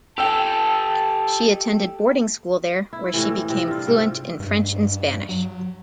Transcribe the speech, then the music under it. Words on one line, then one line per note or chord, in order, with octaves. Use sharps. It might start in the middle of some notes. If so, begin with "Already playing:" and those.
She attended boarding school there, where she became fluent in French and Spanish.
G4 A4 G5 A5 E6
E4
A2 C3 E3
C3
G2 F4
G#2 C3
G2
F#3